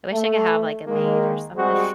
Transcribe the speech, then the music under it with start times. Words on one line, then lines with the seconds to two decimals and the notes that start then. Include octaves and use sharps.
I wish I could have, like, a maid or something.
0.13 A3
0.87 D#3 G#3 A#3
1.56 G3 G#3 C4 F#4 G#4 C5